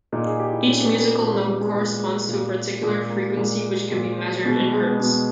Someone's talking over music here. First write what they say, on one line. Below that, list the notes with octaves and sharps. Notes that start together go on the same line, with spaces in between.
Each musical note corresponds to a particular frequency which can be measured in hertz.
A#2 D#4
G#4
G4
E4
D#4
A#2 C#4
B3
A#3
A#2 A#3
G#3
G3
G#3
A#2 G#3
A#2
A#2 G#3
G#3
A#3
A#3
A#2 G#3
A#2
B2 G#3
G3
G#3
B3
B2